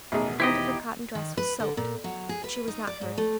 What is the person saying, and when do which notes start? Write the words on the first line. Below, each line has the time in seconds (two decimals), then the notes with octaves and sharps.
The front of her cotton dress was soaked, but she was not hurt.
0.12 A1 E2 B2 D#3 D#4 G#4
0.40 D#4 E4 G4 C5 D#5
1.15 D#3
1.37 B4
1.60 D3
1.77 A#2
2.04 F#3
2.29 G#4
2.44 B4
2.68 D#4
2.87 D5
3.01 G#2
3.18 A3